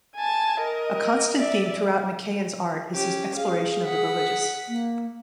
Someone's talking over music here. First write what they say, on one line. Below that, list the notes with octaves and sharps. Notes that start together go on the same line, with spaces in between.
A constant theme throughout McCahon's art is his exploration of the religious.
G#5 A5
A#4 D#5
D5 E5
C#4 G4
G#4 F5
F#5 B6
A#3